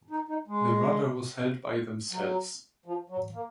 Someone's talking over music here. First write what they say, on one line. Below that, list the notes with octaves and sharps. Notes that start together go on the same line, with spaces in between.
The rudder was held by themselves.
D#4
D#4
G#3
F#3
F3
F#3
A#3